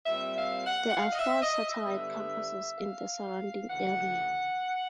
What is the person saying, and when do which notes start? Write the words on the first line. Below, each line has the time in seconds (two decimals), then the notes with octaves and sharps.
There are four satellite campuses in the surrounding area.
0.06 A#2 G3 C4 E5
0.37 F5
0.66 F#5
0.90 F#5
0.97 F5
1.13 D#5
1.19 E5
1.42 D#5
1.65 E5
1.87 G2 D3 G3 B3
2.78 F5
3.68 D2 C#3 E3 F#5